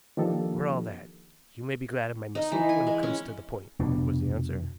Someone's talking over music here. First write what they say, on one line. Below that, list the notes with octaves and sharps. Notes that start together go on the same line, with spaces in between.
"For all that, you may be glad of my muscle when it comes to the point," was the answer.
D#3 F3 A#3 D4 G4 A4
D#4
E3
G#5
G#3
C#4
F1 B2 D4